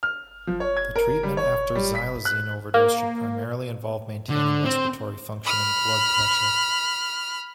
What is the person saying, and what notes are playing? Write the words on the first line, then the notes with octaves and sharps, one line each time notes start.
The treatment after xylazine overdose should primarily involve maintaining respiratory function and blood pressure.
F6
F3
C#5
G#6
A#4
G3
C#5
G3
B6
F#6
A#3
D3
C4
B5 F6